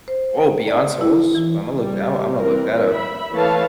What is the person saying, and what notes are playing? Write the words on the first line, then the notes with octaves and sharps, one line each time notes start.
Oh, beyond souls? Imma look that o Imma look that up.
C5
D5
E4
E3
G3
E3 C4 A#4
E5 B5
E3 A3 B4 C#5 F5 A5